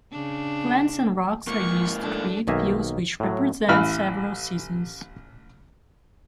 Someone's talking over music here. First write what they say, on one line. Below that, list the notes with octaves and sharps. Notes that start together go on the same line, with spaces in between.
Plants and rocks are used to create views which represent several seasons.
C#3 D4
G#2 A#3 C#6
A3 D4
B1 D#3 A#3 E5 G#5 A#5
A2 F#3
A1 E3 E4 F5 B5 F6